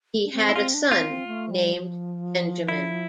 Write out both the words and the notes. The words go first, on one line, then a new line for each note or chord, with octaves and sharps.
He had a son named Benjamin.
D4
C4
E4
C4 F4
D4
C4 F4
C4
A3
G3
F3
E4